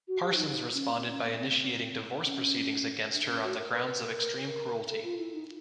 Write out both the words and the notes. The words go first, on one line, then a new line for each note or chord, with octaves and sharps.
Parsons responded by initiating divorce proceedings against her on the grounds of "extreme cruelty".
F#4
G4
D#4
D#4
C#4
C4
C#4
B3
C4
C#4
D4
C#4
F#4
A#4
B4
B4
A#4
A#4
A4
F4
E4
D#4